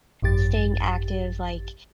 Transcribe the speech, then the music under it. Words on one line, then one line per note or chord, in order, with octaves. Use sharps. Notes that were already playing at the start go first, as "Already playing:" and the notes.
staying active, like,
G#1 F#2 G4 A6